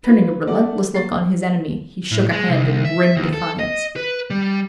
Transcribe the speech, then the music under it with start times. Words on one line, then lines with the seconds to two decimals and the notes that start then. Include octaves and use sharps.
Turning a relentless look on his enemy, he shook a hand in grim defiance.
0.04 F4 B4
0.47 A3 A4 D5 F#5
0.94 A#3 A6 C7
2.11 A2
2.31 G#3
2.48 C2
2.85 E5
3.17 D#2
3.33 A4
3.59 D#5
3.96 B4
4.30 G3